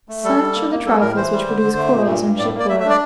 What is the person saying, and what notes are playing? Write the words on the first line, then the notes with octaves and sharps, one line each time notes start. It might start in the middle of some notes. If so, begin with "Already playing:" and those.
Such are the trifles which produce quarrels on shipboard.
A3
G3 A4
G3
A#3
A#3
G3 A4
A2 A#4
E3 C5
G3
D3
D3
A3
A#2
G2
G2
A2 D5
A#3
D5
A3 E5
E5
D4 D5